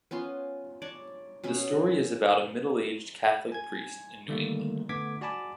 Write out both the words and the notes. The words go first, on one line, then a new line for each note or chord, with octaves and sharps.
The story is about a middle-aged Catholic priest in New England.
B3 C#4 F4 C6
D4 C#5 D5
B2 C#4 B4
G#5 G#6
D3 D#3 G3 A3 A#3
D3 A3 B3 D6 G#6 B6
F#4 D5 G#5 A5 B5 D6